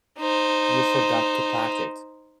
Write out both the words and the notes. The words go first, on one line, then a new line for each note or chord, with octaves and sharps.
You forgot to pack it.
D#4 C5